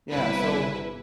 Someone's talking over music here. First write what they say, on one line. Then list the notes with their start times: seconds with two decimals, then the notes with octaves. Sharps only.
Yeah, so
0.11 G1 C3 E4 B4